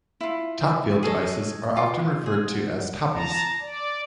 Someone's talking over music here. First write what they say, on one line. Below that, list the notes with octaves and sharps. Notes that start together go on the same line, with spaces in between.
Topfield devices are often referred to as "Toppys".
E4 F4
G#4 A4 C#5 D#5
F4 D6
G#4
F#5
A5 A#5
D5